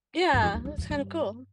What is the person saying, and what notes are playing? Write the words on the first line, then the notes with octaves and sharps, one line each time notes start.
Yeah, that's kind of cool.
G2
F2
E2
E2
F2
G2